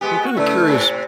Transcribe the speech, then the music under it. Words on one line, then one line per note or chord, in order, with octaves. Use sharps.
I'm kinda curious.
G#3 B3 G4
F#4
C#3 A3 E4 B4
A2 C3